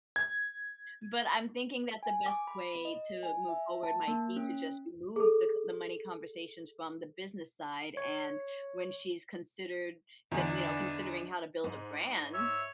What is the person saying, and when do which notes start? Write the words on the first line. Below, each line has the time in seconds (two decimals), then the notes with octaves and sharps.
but I'm thinking that the best way to move forward might be to just remove the c the money conversations from the business side and when she's considered c you know, considering how to build a brand,
0.16 G#6
2.03 G#5
2.26 D6
2.47 B5
2.85 D#5
3.23 G#5
3.48 E5
3.83 A5
4.08 A#3
4.36 C#4
5.16 G#4 A4
7.97 C#5
10.32 G1 E2 D4 D#4
11.64 G#2
12.34 C#5 E5